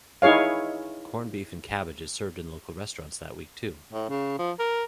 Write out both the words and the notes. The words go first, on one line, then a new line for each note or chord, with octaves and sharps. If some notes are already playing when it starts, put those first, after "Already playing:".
Corned beef and cabbage is served in local restaurants that week too.
D#4 E4 G#4 C#5 F5
A2
C#3
F3
A#4